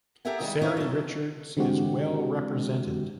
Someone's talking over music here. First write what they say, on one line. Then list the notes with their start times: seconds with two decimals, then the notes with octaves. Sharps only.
Ceri Richards is well represented.
0.25 G4 A4 A#4 E5 F#5 G#5
0.40 D#3 G3 G#3
0.62 E3 F3 D#4 E4 B4 C#5
0.77 F#3 A4
1.57 D3 E3 G#3 C4 F#4 G4